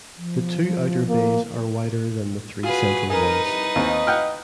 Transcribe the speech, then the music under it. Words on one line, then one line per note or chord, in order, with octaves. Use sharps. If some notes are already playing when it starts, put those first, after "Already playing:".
The two outer bays are wider than the three central ones.
F3
A#3
F4 F#4 G#4 B4
D#4 G#4 A#4 B4
C2
D#2 C4 D#5
F#5 G5 F6